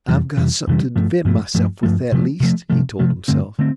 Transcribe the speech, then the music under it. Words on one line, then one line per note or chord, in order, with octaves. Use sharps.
"I've got something to defend myself with, at least," he told himself.
F2 C3 E3 G3
F2 C3 E3 G3
F2 C3 E3 G3
G2 F3 A3
G2 F3 A3
G2 F3 A3
G2 F3 A3
C3 F3 A3
C3 F3 A3
C3 F3 A3
C3 F3 A3
G2 D3 A3 C4
D3 A3 C4